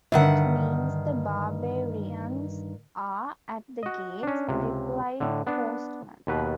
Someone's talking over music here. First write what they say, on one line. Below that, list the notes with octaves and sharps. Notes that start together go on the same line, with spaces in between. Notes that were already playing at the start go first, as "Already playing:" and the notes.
"It means the barbarians are at the gates," replied Forstmann.
G2 D3 D#3 E5 F#5
F#4 D#5
C#4 D4
C#2 C3
A2 D3
B3 D4
D#2 B2 B4